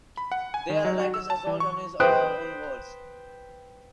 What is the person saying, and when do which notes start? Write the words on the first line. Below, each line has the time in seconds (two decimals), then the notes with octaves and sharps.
They are a writer's assault on his or her own words.
0.17 B5
0.32 F#5
0.54 G#5
0.70 D#3
0.85 F#3
1.00 F#4
1.14 E6
1.30 A5
1.47 E3
1.60 C#6
2.00 B4 C5 G5 D#6 F#6